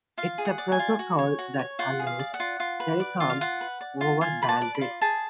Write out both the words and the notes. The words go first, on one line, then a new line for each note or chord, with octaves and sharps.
It's a protocol that allows telecoms over bandwidths.
F4 F5
G#4
F#5
D5
G#5
F4
F#4
C#5
F#4
C#5
F4 F#5
G#4
F5
D5
F#5
F4
F4
B4
D5
F4
F5
F4 F#5
B4
D5
F4
F4 G#5
B4 B5
A5
D5
B5
F4
G#4 A5